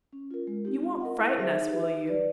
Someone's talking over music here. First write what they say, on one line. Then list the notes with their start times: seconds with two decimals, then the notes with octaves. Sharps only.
You won't frighten us, will you?
0.13 C#4
0.31 F4 A#4
0.47 G#3
0.65 C4 D#4 G4
0.83 F4
1.00 A#4 D#5 F#5
1.17 E4
1.35 G#4 C5 E5
1.52 D#4
1.70 G4 B4 E5
1.89 D#4
2.06 G4 B4 D5